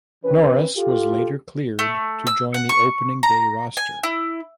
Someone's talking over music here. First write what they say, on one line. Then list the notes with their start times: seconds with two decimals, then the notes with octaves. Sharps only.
Norris was later cleared to join the Opening Day roster.
0.25 C3 E3 C4 C#4 B4
0.77 F4 G4 A4
1.79 A3
2.27 E6
2.54 F#5
2.69 C#6
3.23 A#5
3.77 G#5
4.03 E4